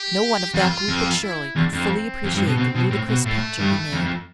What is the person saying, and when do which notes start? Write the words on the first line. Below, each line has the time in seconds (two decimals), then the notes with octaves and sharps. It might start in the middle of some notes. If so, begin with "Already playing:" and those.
No one of that group but Shirley could fully appreciate the ludicrous picture he made.
Already playing: G4
0.54 F2 F4
0.88 F2
1.22 E4
1.56 E2 D4
1.73 F2
1.90 C4
2.24 F2
2.35 G2
2.46 B2
2.57 B2 C4
2.75 B2
2.91 A2
3.09 B2
3.25 A2 A3
3.59 G2
3.92 F2
4.03 F2